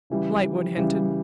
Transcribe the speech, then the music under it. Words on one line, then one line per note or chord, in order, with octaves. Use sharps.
Lightwood hinted.
C#3 E3 G3
C#3 E3 G3